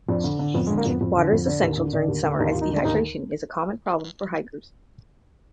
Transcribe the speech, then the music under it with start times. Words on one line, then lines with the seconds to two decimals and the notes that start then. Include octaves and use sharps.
Water is essential during summer as dehydration is a common problem for hikers.
0.09 F2 D4
0.24 D3
0.39 D3
0.54 F2 B3
0.67 G#3
0.70 D3
0.77 A#3
0.86 F2 B3
1.01 F2
1.16 D3
1.32 F2
1.47 D3 D4
1.62 D#2
1.78 D3
1.93 D3 D4
2.08 D#2
2.23 D3
2.39 D#2 D#4
2.51 F4
2.54 D#2
2.61 D#4
2.69 D3 D4
2.84 D#2 D#4